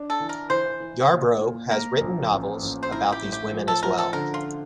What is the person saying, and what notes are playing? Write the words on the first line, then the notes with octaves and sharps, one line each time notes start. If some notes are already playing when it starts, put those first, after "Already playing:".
Yarbro has written novels about these women as well.
Already playing: D4
A4
E3
A#4
E3 C5
E3
A#2
A#2
A#3 A#4
A#1
A1
A1
C5
E4 A#4
G4
A2
G4
F3
A4
F3 A#4
A4
D3 A#4
F4